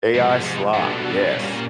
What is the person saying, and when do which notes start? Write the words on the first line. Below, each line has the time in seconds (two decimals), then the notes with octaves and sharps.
AI slop, yes.
0.14 G#2 C3 F3 G#3
0.29 G#2
0.44 G#2
0.74 G#2 G3 B3 D4 F#4 A4
0.89 A#2
1.01 B2
1.14 A#2
1.27 B2
1.34 A#2 G3 A#3 C#4